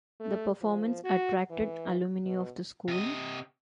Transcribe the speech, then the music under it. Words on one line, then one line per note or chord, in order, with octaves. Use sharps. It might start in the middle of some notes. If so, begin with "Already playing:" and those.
The performance attracted alumni of the school.
A3
F3
F#4
E3
B2
C3 D#5